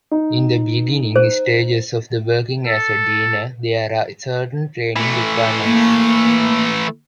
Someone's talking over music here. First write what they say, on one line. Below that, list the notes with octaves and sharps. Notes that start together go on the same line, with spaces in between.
In the beginning stages of working as a diener, there are certain training requirements.
D#4
C5
A4
E3 A3
A#3